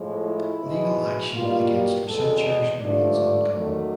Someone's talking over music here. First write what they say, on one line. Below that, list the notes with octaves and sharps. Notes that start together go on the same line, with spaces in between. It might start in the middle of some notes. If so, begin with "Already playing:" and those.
Legal action against researchers remains uncommon.
Already playing: A2 F3 G#3
E4
B2 G#3
B2 G3 A#3 F4
G4
E2 B2 G#3 A4
D#5
G2 D3 F3 A3 D5
F#2 D#3 F#3 A3